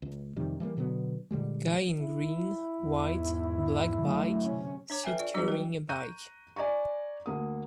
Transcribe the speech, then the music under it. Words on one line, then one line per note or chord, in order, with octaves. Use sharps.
Guy in green, white, and black bike suit carrying a bike.
C#2
F2 C3 D#3 G3
E3 G3 G#3 A#3
B2 D3 F#3 B3
A#2 D3 G3 G#3
E4
E2 G#2
F#2 D3 A3
C3 C#4
D4 C#5 D6
A4 B4 E5 G5 G#5
F4 D5
F#3 G3 D4 F#4 D#5
B4 G5
A#5 C#6 F#6 G6 D#7
D5 G#5 A#5 C#6
D2 A#3 D#6